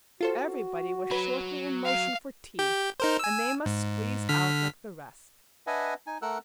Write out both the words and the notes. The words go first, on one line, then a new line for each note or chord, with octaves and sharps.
Everybody was shortly in motion for tea, and they must squeeze out like the rest.
F4 F#4 A4 C5
F#3 B4 B5
F5
G4 G6
D#4 A#4 C5
G#5 E6
G#2
D3 F6 B6
D4 B4 D#5 E5 F#5 G#5
D#4 G#5
A3 A4 A#4 F#5 E6 F#6